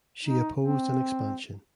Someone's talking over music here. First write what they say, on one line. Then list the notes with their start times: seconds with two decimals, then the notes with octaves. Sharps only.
She opposed an expansion.
0.24 D#4
0.61 C4